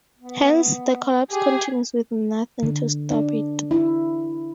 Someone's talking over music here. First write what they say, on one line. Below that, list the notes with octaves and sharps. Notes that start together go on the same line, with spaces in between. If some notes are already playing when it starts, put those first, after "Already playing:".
Hence, the collapse continues with nothing to stop it.
B3
G4 G#4
D3
D4
E4